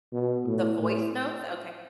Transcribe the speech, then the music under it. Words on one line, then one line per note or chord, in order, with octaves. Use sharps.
the voice notes? Okay.
B2
A2
A2